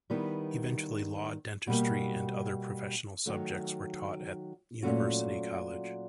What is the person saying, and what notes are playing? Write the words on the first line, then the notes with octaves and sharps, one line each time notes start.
Eventually, law, dentistry and other professional subjects were taught at University College.
D#3 G3 B3 E4
B2 G3 A#3
D#3 F#3 A3
A#2 F#3 A3 C#4 F#4